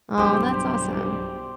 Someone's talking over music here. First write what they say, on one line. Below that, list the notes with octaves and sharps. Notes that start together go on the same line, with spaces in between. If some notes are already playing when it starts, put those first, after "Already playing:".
Aw, that's awesome.
B1 G2 B2 G4 C5